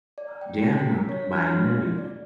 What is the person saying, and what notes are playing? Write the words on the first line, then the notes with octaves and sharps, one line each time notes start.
They are met by Mary.
D5
G5
C#4
B6
C#5
D4
F6
C6
D5